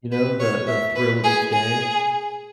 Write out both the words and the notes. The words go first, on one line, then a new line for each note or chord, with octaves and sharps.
you know, the the thrill of each day
B4
C#5
E5
B4
G#4
G#4